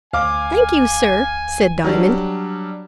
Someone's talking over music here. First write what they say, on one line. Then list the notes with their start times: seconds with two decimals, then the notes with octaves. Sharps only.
"Thank you, sir," said Diamond.
0.13 D2 F5 G#5 D6
1.84 F#3 G3 D4